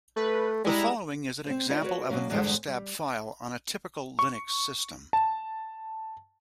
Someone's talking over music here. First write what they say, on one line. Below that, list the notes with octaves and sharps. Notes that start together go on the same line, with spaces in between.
The following is an example of an fstab file on a typical Linux system.
A3 B4
G3 G#3 E4 A#5
C4 C5
D#4 F4 B4 D5 D#5
F#4 A#4 B4 C#5
B2 F#3 A#3 C#4
E2 G2 D3 G#3 C5
G3
C#6
A5